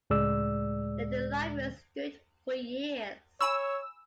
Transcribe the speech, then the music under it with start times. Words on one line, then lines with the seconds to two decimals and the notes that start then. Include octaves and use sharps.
There the library stood for years.
0.10 C#2 A2 G#3 D5 E6
3.41 C#5 G#5 B5 C#6 E6